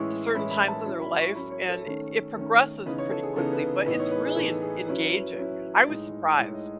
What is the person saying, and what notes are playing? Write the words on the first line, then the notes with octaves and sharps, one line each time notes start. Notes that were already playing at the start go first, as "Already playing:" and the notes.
to certain times in their life, and it progresses pretty quickly, but it's really en engaging. I was surprised.
Already playing: A2 E3 G#3 C#4 E4 C#6
A2 E3 G#3 C#4 E4 B5
B5
A5
F#3 C#4 E4
B5
C#6
F#3 C#4 E4 B5
C#5
A4
D#3 A3 C#4
D#3 A3 C#4
C#3 E3 B3 D#4 B4
C#5
A4
G#4
C#3 E3 B3 D#4 A4
B4
A2 E3 B3 D#4 B4
C#5
B4
G#4
A2 E3 B3 D#4 A4
G#4
F#3 C#4 E4 B4
F#3 C#4 E4
A2 G#3 D#4
A2 G#3 D#4 C#5
D#5